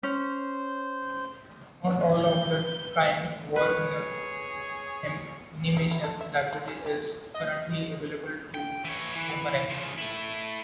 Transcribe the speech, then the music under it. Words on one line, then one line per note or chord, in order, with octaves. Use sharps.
Not all of the Time Warner animation library is currently available to Boomerang.
C#4 C5
B4 G6
G#4 B4 C#5
D#4
E4
A4
E5
A4
D3
C#4
G4
D#5
G5
E3 C#5
E3
C#3 F3
A3 E4